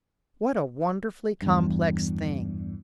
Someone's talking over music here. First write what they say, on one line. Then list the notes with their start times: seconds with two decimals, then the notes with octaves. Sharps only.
What a wonderfully complex thing!
1.42 E2 G2